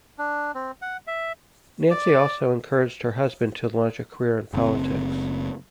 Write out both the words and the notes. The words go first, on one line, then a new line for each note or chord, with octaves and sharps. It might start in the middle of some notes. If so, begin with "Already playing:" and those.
Nancy also encouraged her husband to launch a career in politics.
D4
C4
F#5
E5
D5
F#1 C4